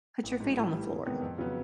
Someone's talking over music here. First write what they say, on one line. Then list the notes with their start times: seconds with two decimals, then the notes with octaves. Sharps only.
put your feet on the floor
0.23 A1
0.40 G#2 F3
0.57 A2
0.73 E3 G3
0.89 E2
1.05 C3 D#3 G#3 B3
1.22 F2
1.38 C#3 F#3 B3